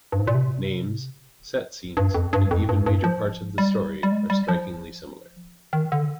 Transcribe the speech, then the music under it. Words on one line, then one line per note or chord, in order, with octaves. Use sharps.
Names, set scenes, and even major parts of the story, are strikingly similar.
G2
G#2
A#2
C3
G2
F2
G2
F2
G2
G2
F3
G3
G3
G#3
G3
F3
D#3
D3